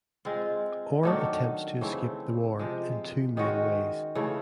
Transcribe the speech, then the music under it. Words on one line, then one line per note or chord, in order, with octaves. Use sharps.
Orr attempts to escape the war in two main ways.
G#3 C4 F4
D#3 F#3 A3 D4
C#3 E3 A3 C4
C3 F3 G#3
D#3 G#3 C#4 F#4
C#3 E3 A3